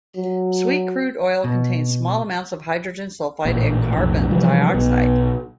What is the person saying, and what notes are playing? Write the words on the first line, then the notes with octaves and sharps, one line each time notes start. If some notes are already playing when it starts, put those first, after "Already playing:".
Sweet crude oil contains small amounts of hydrogen sulfide and carbon dioxide.
F#3
B2
A1 A#2
B1 F2 A2
C3 E3 F3 G3
B1 B2